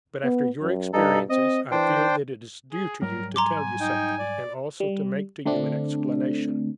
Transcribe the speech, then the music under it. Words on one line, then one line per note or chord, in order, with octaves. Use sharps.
But after your experiences I feel that it is due to you to tell you something, and also to make to you an explanation.
B3
F#2
G2 D#4 A4
C4 D#5
E3 D4 C5 G5
G#4
G#2 F#3 G3 A#4
G#5 A#5 C6 D6
D#4 G5
D5
G3
D3 A3 C4 D4